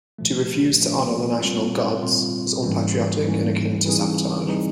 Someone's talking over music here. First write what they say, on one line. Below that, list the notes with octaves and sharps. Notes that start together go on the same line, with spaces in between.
To refuse to honor the national gods was unpatriotic and akin to sabotage.
A#2 F3 A3
A#2 F3 A3
A#2 G3 C4 F4
A#2 G3 C4 F4
G#2 E3 G3 A#3 C#4
G#2 E3 G3 A#3 C#4
E3 G3 C4 D#4 G#4
E3 G3 C4 D#4 G#4